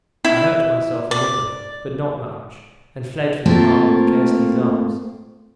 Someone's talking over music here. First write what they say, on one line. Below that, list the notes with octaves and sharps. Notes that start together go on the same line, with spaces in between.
I hurt myself a little, but not much, and fled for the harbour of Kirsty's arms.
E4
D5
A3 A#3 C4 F4 A#4